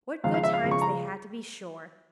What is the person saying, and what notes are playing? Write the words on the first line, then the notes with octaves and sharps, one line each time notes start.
What good times they had, to be sure.
C#2 C#3 F3 F5
F5
E5
F5
C#2 C#3 F3
C#6
A#5